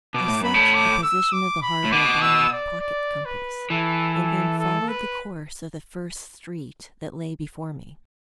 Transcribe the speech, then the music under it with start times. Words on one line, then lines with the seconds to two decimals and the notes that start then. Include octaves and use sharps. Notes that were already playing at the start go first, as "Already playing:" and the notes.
I SET the position of the harbor by my pocket-compass, and then followed the course of the first street that lay before me.
0.14 B2 D6
0.28 A2
0.41 F#2 B5
0.54 A2
0.74 D6
1.03 E6
1.33 D6
1.62 B5
1.85 A2
1.92 B2 D6
2.22 E6
2.52 D5
2.80 D5
3.25 B4
3.70 E3 A4
4.14 A4
4.59 A4
4.88 B4